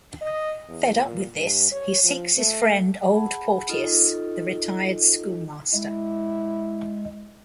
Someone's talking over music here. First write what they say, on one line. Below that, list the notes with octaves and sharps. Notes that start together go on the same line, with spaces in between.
Fed up with this, he seeks his friend Old Porteous, the retired schoolmaster.
D#5
E2
A#2
G2
C#5
F3
A3
G#4 F#5 A5 B5
D#4 F4 A4 D#5
G#3 E4